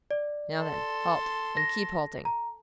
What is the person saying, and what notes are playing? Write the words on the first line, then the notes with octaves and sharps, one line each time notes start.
Now then, halt--and keep halting!
D5
A4 C6
A#6
A#5